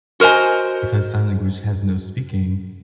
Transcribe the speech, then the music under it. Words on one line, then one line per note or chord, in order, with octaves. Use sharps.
because sign language has no speaking,
F#4 A#4 C5 D#5 G#5